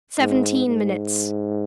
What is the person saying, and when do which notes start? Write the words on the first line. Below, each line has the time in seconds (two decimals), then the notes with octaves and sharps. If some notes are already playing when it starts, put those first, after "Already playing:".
Seventeen minutes.
0.20 G#2
0.66 G#2